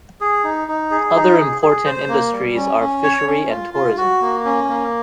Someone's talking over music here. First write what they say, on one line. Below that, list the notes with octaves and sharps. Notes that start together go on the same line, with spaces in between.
Other important industries are fishery and tourism.
G#4
D#4
D#4
G#4
D#4
G#4
G#4
C5
A#3
G3
C#4
C#4
C#5
C#4
F4
F4
F#4
A#3
C#4
A#3